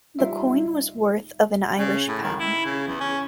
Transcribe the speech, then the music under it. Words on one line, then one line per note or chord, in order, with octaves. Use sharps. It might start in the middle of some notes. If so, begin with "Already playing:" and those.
The coin was worth of an Irish pound.
G3 D#4 F4 E5
C#3
A2
D#3
E4
C#3
E2
C#4